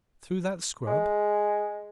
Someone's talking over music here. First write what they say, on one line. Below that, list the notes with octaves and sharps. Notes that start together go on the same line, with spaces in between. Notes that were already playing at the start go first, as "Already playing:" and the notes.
Through that scrub?
G#3